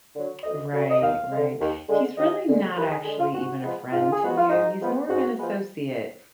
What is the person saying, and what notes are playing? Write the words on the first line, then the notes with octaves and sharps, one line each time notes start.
Right. Right. He's really not actually even a friend to you. He's more of an associate,
D3 F#3
D2 D#5
D3 F#3
D#5
D#2 F5
G#3
D3
D#2
D3 G#3
D#2 D#5
D3 G#3
D#2 B4
G#4
D3 G#3 G#4
F4
G#2 F#4
F3 G#3 B3
G#2 F4
G#4
F3 G#3 B3 F#4
F4
G#2 D#4
F3 G#3 B3
G#2 F#4
F3 G#3 B3